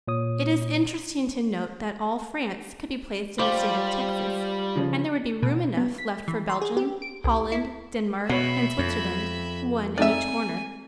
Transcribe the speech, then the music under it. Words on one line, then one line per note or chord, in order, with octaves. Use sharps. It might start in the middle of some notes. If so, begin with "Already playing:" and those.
It is interesting to note that all France could be placed in the state of Texas and there would be room enough left for Belgium, Holland, Denmark and Switzerland, one in each corner.
A#2 C#5 D#6
G3 F4 C5 D6
C#3 F3
B2
B3
B6
E3
C6
G#4
G4
D7
C2
E4
B2 F#3 B3 B4 C#5 E5 B5
F2
C4 D#4 A4 D5 E5 G#5